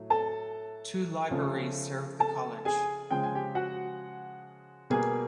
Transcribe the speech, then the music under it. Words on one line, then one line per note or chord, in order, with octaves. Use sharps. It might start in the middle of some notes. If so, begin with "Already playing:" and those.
Two libraries serve the college.
Already playing: A2 F#3 A3
A4 A5
C#3 F3 A3
A4 A5
G#4 G#5
C#3 F3 G#3 G5
G#5
G4 G5
F#4 F#5
B2 G3 A#3 G#4 G#5